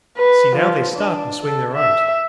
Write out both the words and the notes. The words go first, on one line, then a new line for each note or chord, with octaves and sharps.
See, now they stop and swing their arms!
B4
F3
D4
A4
E5